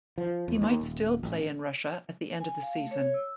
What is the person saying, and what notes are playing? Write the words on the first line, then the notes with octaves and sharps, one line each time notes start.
He might still play in Russia at the end of the season.
F3
E2
D#2
D#1
A1
G#5
F5
A3
C#5
E6